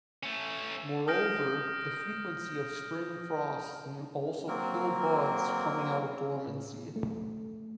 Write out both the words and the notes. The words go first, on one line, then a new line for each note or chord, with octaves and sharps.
Moreover, the frequency of spring frosts can also kill buds coming out of dormancy.
A3 C#4
D#6 F6 G6 A#6 D7
F#3 A#3 C4 A#4
A2
A3